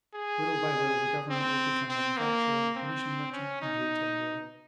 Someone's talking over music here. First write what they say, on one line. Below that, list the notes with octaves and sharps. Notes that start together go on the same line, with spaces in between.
Little by little the government will become manufacturer, commission-merchant, and retail dealer.
G#4
C4
C4
A#3
C4
C#4
D#4